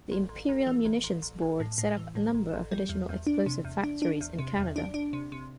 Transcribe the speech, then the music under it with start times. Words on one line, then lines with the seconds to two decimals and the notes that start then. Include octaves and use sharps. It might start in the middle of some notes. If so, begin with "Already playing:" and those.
The Imperial Munitions Board set up a number of additional explosives factories in Canada.
0.12 A1
0.29 A1
0.49 A1
0.67 E3
0.85 A1
1.04 A1
1.22 A1
1.42 A1
1.60 A2
1.78 A2
1.97 E3
2.15 A2
2.34 A1
2.53 A1
2.71 G3
2.89 E2
3.09 E2
3.27 D4
3.46 C3
3.65 E2
3.84 D4
4.02 D4
4.21 E2
4.39 C3
4.58 E2
4.76 D4
4.94 D4
5.13 C3
5.32 C3